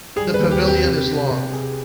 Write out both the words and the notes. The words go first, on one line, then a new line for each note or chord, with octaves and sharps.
The pavilion is long.
G3 G#4
B4
D#2
G4
C4
G4
C3
C3
C3
G#4